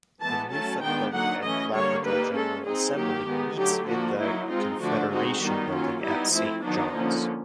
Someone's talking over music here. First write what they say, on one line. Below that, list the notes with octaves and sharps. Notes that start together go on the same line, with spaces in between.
The Newfoundland and Labrador General Assembly meets in the Confederation Building at Saint John's.
E3 G#3 B3 A5
F#3 A3 C#4 A5
D#3 G#3 B3 D4 G5
D3 F#3 A#3 D#4 F#5
E3 A3 C#4 D#5
D3 G3 A#3 D4 C#5
G3 A#3 D#4 B4
G#3 C#4 A4
G#3 C4 D#4 G#4
D#3 F#3 A#3 G4
D#3 G#3 B3 D#4
D3 F#3 A3 G4
F3 A#3 D4 F#4
F#3 A#3 D#4 E4
G#3 C4 D#4 F4
D3 F3 A3 D4 F#4
G#3 C4 D#4 F#4
D#3 G3 B3 D#4
F#3 A#3 C#4 F4
G3 B3 D#4 E4
F3 A3 C4 E4
D#3 F#3 B3 D4 D#4
D3 F3 A#3 C#4